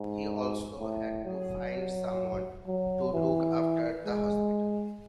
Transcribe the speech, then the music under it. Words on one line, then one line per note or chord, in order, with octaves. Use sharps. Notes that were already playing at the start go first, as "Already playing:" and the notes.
He also had to find someone to look after the Hospital.
Already playing: G#2
A2
F#3
F#3
E3
G#3